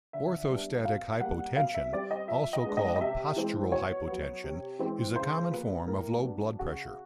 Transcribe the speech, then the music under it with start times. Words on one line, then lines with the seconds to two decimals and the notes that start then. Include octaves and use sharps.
Orthostatic hypotension, also called "postural hypotension", is a common form of low blood pressure.
0.13 D3 E5
0.50 G3 B3 D4
0.85 B2 F5
1.21 G3 A#3 F#5
1.56 B2 F5
1.74 E5
1.93 G3 C4 D5
2.11 D#5
2.28 F3 E5
2.53 D#5
2.65 G#3 B3 D4
2.77 D#5
2.96 D#5
3.01 C3 E5
3.36 E3 G#3 C4
3.71 B2 C#5
4.07 F#3 B3
4.44 C3
4.79 E3 G#3 C4
5.15 C#3 C5
5.51 F3 A#3 B4
5.86 A2 A#4
6.22 F#3 B3 D4
6.59 C#3 F#4